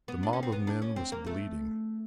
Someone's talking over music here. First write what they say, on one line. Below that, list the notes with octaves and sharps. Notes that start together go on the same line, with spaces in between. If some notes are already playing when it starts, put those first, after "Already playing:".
The mob of men was bleeding.
B3
D4
C#4
C4
B3
D4
C#4
C4
A#3
A3